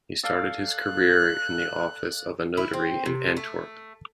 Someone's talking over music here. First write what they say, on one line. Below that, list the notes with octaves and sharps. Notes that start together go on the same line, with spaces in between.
He started his career in the office of a notary in Antwerp.
A4 D5 F5
F#6
E4
C4
C3
A3